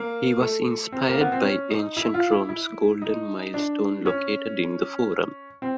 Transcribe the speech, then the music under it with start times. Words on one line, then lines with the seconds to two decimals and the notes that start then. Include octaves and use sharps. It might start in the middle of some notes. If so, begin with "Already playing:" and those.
He was inspired by ancient Rome's Golden Milestone located in the Forum.
Already playing: A#3
0.40 A3
0.92 C4
1.09 A#3
1.20 B3
1.32 C4
1.44 C#4
1.70 D#4
1.97 E4
2.14 F4
2.32 E4
2.49 E4
3.02 D#4
3.54 D4
4.05 C#4
5.62 C4